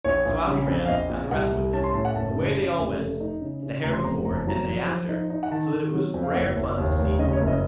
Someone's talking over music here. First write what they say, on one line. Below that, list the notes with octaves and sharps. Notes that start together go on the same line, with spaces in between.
So out he ran, and the rest with him--away they all went, the hare before, and they after; so that it was rare fun to see.
A#1 C#5
A#1
C#3
F2
F5
A#1 D#5
A#2
C2 F#5
C2
C#4 A5
C6
A2 A5
F#5
F#1 A5
C#3
C#3
F1
A3
D#4
C#3
C#3
F1 A#5
C6
F2 A#5
F#1 A#5
A5
F#3 A#5
F3
F3
D#4
D#4
F#5
D#3 A5
D#3
F#3
F2
F5
F#1 F#5
F#1
D#2
F1
C#3 D#5
C#5
F#1
D#5